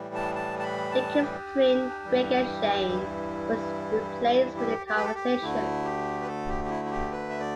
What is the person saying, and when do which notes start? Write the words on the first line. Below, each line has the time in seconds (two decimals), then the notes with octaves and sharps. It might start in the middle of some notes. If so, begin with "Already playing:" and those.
The kiss between Greg and Shane was replaced with a conversation.
Already playing: A2 E3 G3
0.15 A5
0.35 A5
0.59 A5
0.63 B5
0.92 A5
1.20 G4
2.04 G2 E3 G3
2.88 E4
4.57 G4
4.87 G4
4.96 B4
5.05 A4
5.15 G4
5.42 D2 D3 A3 E4
5.85 G4
6.22 B4
6.27 A4
6.48 G4
6.65 G4
6.70 E4
6.85 E4
6.91 G4
7.12 B4
7.29 E5
7.40 D5